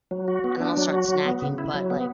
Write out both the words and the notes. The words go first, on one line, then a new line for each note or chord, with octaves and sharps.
and then I'll start snacking, but, like,
F#3
F#4
B3
D4
F#3
F#4
F#3
B3
C#3
E4
F#3
B3